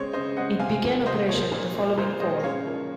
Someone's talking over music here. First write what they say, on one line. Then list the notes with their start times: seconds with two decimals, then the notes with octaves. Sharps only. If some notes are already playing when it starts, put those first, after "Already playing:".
It began operation the following Fall.
Already playing: C#3 G#3 C4 C5 C#5 D#5
0.13 C#3 C5 D#5
0.37 G#3 C4 D#5 F#5
0.59 C3 F5 G#5
0.82 F3 A#3
1.06 C3 C5 D#5
1.29 F3 A#3 C#5
1.52 A#2
1.75 G#3 C4
1.98 A#2 C5
2.20 G#3 C4 C5 D#5
2.43 C#3 C#5 F5
2.66 F3 A#3